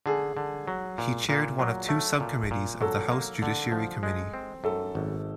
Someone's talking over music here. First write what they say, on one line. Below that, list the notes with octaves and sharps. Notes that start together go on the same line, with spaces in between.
He chaired one of two subcommittees of the House Judiciary Committee.
D3 G#4
D3
F#3
A#2
A#2
F#3
A3
A#2
A#2
F#3 A4
A#3
D3
F3
G#3
C4
F#2 A4
G#1